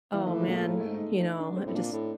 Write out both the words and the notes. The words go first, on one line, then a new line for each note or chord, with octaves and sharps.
oh man, you know, just
E3 A#3
D#3 A3
E3
G#3
A#2
A3
A2 A#3
G#2 A3
D#4
D#4
D4
C4
A2
A#2 D4
A2